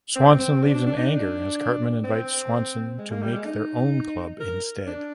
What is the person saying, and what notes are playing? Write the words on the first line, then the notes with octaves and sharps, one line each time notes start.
Swanson leaves in anger as Cartman invites Swanson to make their own club instead.
C4
C4
D4
D4
D4
D#4
D4
C4
G#3
A#3
G3
G#3
D#4
A#4
D4